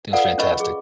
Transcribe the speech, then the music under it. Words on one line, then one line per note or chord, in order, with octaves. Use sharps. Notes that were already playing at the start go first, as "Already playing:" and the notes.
It was fantastic.
F4 A4 B4 D5 F5 F#5
C#4 A#4 B4 D#5 B5 C#6
G#4